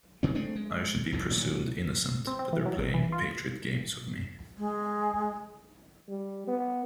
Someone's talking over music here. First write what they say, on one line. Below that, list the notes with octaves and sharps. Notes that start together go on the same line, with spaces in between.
I should be presumed innocent but they're playing patriot games with me.
D2 C#3 C4
G#3 A3 C4 D4
G#3
C2 F2 G#2
A#2 D#3 F#3
C4
C4
E3
F#3
A1
E3
F4
G#3
G3
B3